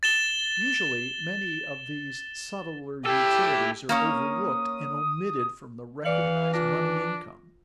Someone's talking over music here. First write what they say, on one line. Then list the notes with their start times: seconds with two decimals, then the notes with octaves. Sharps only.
Usually many of these subtler utilities are overlooked and omitted from the recognized money income.
0.03 A6 E7 G7
3.06 E4 G4 A4
3.89 A#3 C#4 C#5 D#6
6.04 E3 D5 F5 C#7 F#7
6.53 D4 F4 A#6